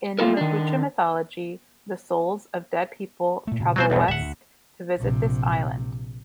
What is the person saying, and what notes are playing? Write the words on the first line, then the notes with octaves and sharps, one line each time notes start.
In Mapuche mythology, the souls of dead people travel west to visit this island.
A3 A#3 F4 A4 A#4
D#3 D4
A#2 A3
A#2 C#3
B2 F#3 G3 C4 C5
B1 E2 G2
D1 E5 F#5
D2
A#1 C3